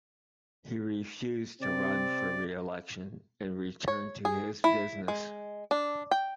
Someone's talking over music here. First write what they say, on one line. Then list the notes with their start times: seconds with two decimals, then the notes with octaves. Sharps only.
He refused to run for reelection, and returned to his business.
1.62 C3 C4 D5
3.88 C#5
4.25 G#4
4.64 E4
5.08 G#3
5.71 D4
6.11 G5